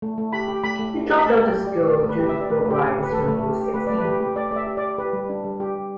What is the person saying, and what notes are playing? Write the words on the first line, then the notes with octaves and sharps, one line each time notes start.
He dropped out of school, due to poor grades, when he was sixteen.
A3
A3
G4 B5
G4
A3 B5
A3
G4
G4
B5
A3 A5
A3 G5
G4
D5
G4
A3 D5
A3
B4
G4
E5
G4
D5
A3 B4
A3
G4
G4
G4
B4
A3 A4
A3
G4
G4
A3 B4
A3 D5
B4
G4
G4
A3 D5
A3 D5
E5
G4
D5
G4
G4 B4
G3
D4
G3
G4
G3